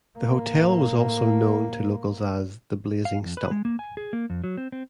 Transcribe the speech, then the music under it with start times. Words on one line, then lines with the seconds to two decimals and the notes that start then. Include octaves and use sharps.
The hotel was also known to locals as 'The Blazing Stump'.
0.19 A2 A#3
3.05 F5
3.25 F2
3.37 B4
3.51 G#3
3.65 A#3
3.79 G#5
3.97 G#4
4.13 A#3
4.30 F2
4.44 F#3
4.57 C4
4.72 C4